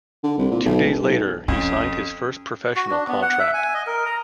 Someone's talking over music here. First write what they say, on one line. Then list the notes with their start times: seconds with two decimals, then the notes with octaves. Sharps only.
Two days later he signed his first professional contract.
0.23 D3
0.38 C2
0.51 A#2
0.65 B1
0.83 E1
1.02 B1
1.48 F2 C#4
2.76 F#4
2.90 D4
3.08 B3
3.22 F#5
3.39 E5
3.54 G#5
3.74 D#5
3.87 A#4
4.06 A#5